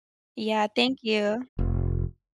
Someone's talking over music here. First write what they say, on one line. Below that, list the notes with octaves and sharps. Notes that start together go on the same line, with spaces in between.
Yeah, thank you.
F1